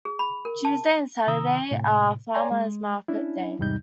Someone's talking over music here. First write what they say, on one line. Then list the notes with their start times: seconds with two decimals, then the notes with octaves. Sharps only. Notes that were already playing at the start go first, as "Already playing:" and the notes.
Tuesday and Saturday are Farmers Market days.
0.05 G#4
0.19 B5
0.45 A#4
0.65 A5
1.27 C3 D#3 A#5 D#6 E6
1.71 A2 C3
2.34 C#5 D5 G5 G#5 A#5 C6
2.51 G#3
3.08 C#4 D4 E4
3.59 E2 G#2 C3 G3 D#4 G6